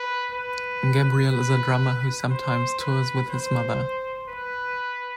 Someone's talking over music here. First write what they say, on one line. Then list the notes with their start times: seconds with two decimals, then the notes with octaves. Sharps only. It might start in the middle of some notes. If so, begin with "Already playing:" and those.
Gabriel is a drummer who sometimes tours with his mother.
Already playing: B4
0.33 B4
1.31 B4
2.30 C5
2.80 B4
3.30 C5
4.29 B4